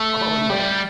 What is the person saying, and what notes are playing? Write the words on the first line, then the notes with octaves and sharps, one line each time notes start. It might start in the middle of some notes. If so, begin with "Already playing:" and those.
Oh, no.
Already playing: A3
G3